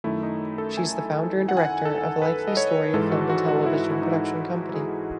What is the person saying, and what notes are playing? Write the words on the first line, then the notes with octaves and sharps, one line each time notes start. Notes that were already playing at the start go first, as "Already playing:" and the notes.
She is the founder and director of "likely story" film and television production company.
F#2 D#3 A3 E4
D#4
A4
G#5
F#5
G#5
F#5
A4
B4
D#5
C#5
G#2 E3 G#3 A4
F#4
F#4
F#4
E4
E4
D#4
G#4